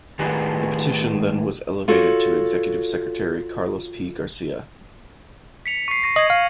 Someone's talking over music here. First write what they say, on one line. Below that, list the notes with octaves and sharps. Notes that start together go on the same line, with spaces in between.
The petition then was elevated to Executive Secretary Carlos P. Garcia.
A2 D#3 G4 G#4 B4 D5
F4 F#4 A4 C#5
B6 C#7 F7
C#6 C7
C#6 A#6
D#5 G#6 A#6 F#7
F5